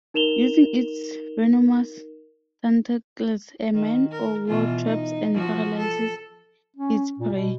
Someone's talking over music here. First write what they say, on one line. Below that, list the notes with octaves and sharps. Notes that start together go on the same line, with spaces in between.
Using its venomous tentacles, a man o' war traps and paralyzes its prey.
D#4 A#4 E7 F7 G7
D#3
A#4
B2 E3 F4
D#4
F3 F#4
A4
C#4
A#2
B2